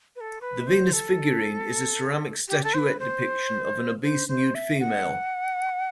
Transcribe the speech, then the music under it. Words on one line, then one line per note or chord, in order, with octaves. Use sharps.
The Venus figurine is a ceramic statuette depiction of an obese, nude female.
B4
A4
B4
C5
A4
G4
A4
C5
B4
C5
C5
C5
E5
F#5